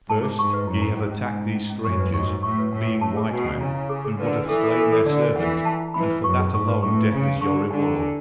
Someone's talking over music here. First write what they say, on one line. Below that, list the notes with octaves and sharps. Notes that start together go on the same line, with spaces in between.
First, ye have attacked these strangers, being white men, and would have slain their servant, and for that alone death is your reward.
G#2 A5
G#4
G#2 C#6
B4
F#2 E4
E4
G#2 C#4
C#4
G#5
D4
C#4
C#4
F#2 C#6
B4
G#2 C#6
F#4
A2 C#6
B4
A2 D4
D4
A2 A5
G#4
B2 G#5
C#4
C#3 E4
E4
G#4
G#4
D3 B4
B4
E3 A4
A4
A4
A4
D3 D5
D4
E3 F#5
D4
A5
E4
E3 B5
B4
F#2 C#6
G#4
G#2 C#6
B4
A2 C#6
B4
C#3 D4
D4
D3 C#6
F#4
D3 G#5
E4
G#5